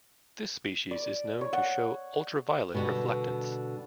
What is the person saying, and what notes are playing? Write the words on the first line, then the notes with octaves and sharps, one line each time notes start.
This species is known to show ultraviolet reflectance.
D5
C#5
F#5
B2 D3 G3